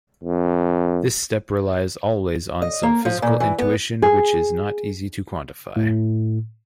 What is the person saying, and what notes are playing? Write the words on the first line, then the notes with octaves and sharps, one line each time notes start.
This step relies always on some physical intuition which is not easy to quantify.
F2
D#5
A#3
F3
A#2
E3
B3
G#4
A2